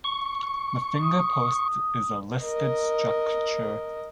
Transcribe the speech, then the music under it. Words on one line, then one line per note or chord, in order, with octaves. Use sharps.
The finger post is a listed structure.
C#6
D#6
A#4 D#5